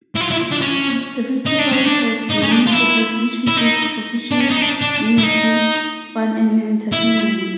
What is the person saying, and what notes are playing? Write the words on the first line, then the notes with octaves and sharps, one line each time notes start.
The festival has many purpose which include: for fishing, unity, fun and entertainment.
E4
F4
E4
D4
C#4
D#4
D4
C#4
D4
D#4
C#4
D4
F4
E4
E4
D#4
D4
C#4
D#4
D4
D4
E4
D#4
E4